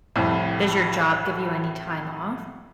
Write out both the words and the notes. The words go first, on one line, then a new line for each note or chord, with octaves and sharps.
does your job give you any time off?
C2 F2 A2